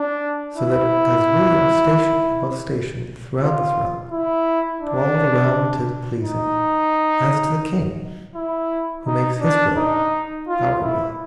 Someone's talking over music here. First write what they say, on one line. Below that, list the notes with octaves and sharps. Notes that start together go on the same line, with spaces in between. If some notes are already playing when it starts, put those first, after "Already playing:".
So that, as we are station above station Throughout this realm, to all the realm 'tis pleasing, As to the King, who makes his will our will.
Already playing: D4
E4
F4
E4
D4
D#4
E4
D#4
D4
D#4
F4
E4